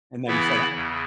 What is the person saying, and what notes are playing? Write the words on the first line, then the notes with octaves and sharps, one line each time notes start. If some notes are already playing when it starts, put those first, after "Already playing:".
and then you said I
C#3 E3 B3 E4
E2 C#3